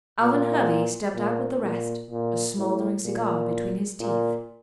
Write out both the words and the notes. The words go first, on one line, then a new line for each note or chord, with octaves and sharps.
Alvan Hervey stepped out with the rest, a smouldering cigar between his teeth.
A#2
A#2
A#2
A#2
A2
A#2
A#2